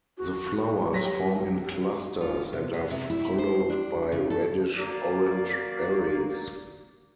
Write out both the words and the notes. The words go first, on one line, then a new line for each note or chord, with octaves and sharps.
The flowers form in clusters and are followed by reddish orange berries.
F#4
F#3 G4 A#6 B6
F4
C3
B3
C3
E4
C5
D4
C#3
A4
A#3 F#4 D5